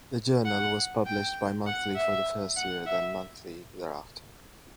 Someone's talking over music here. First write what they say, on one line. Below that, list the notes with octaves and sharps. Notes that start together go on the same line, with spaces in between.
The journal was published bimonthly for the first year, then monthly thereafter.
F#5
G5
F#5
E5
F#5
E5